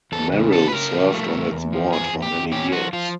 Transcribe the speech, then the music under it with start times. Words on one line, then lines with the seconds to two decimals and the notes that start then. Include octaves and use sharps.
Merrill served on its board for many years.
0.12 E2 A4
0.32 C#3
0.52 E2 A4
0.68 B4
0.72 C#3 A#4
0.92 F3
1.12 A3
1.32 E2
1.52 E2
1.73 F3
1.93 E2 G#4
2.13 E2
2.22 G4
2.32 E2
2.52 C#4 G4
2.72 F3 F#4
2.93 F3 F4